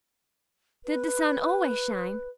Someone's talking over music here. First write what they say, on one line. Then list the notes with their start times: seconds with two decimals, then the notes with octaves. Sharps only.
Did the sun always shine?
0.85 B4